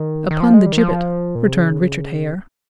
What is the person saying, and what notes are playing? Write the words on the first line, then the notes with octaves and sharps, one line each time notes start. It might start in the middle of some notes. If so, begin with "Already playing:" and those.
"Upon the gibbet," returned Richard Hare.
Already playing: D#3
D#3
F3
G#3
G3
D#3
F3
A#2
C3
C#3